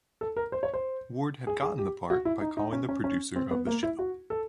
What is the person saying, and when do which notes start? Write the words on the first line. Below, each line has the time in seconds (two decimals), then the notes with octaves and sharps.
Ward had gotten the part by calling the producer of the show.
0.21 A4
0.36 A#4
0.52 C5
0.63 C#5
0.74 C5
1.47 G#4
1.62 G#4
1.78 G4
2.10 F#4
2.25 E4
2.41 D#4
2.57 D#4
2.73 C#4
2.89 C#4
3.04 C#4
3.36 C4
3.51 B3
3.67 A#3
3.83 E4
3.99 F#4
4.30 A4